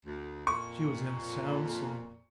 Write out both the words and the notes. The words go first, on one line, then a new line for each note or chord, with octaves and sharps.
She was in a sound sleep.
D2
F2 A#2 C#6